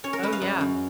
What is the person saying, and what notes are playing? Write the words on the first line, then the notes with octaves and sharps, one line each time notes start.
Oh, yeah.
C#4 C#5
A#4
G#3 B4
F5
F#2
F#2